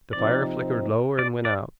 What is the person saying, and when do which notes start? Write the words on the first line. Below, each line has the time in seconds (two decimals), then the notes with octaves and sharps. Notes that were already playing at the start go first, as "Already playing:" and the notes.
The fire flickered lower and went out.
0.13 C3 F3 C4 D#4 D5
1.19 D5
1.45 D5